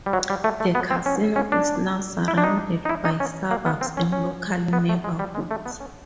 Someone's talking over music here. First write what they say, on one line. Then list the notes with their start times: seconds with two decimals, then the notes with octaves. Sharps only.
The casino is now surrounded by suburbs and local neighbourhoods.
0.06 G3
0.13 F#3
0.30 G3
0.44 A3
0.60 A3
0.75 B3
0.91 C4
1.06 C#4
1.36 C#4
1.52 D4
2.28 E4
2.38 D4
2.44 D#4
2.85 D#4
2.89 E4
3.05 D#4
3.20 C#4
3.51 A#3
3.66 B3
3.81 C4
3.97 C#4
4.12 C#4
4.73 B3
4.89 A3
5.04 G#3
5.19 G3
5.35 G#3
5.51 A3
5.66 B3
5.80 C#4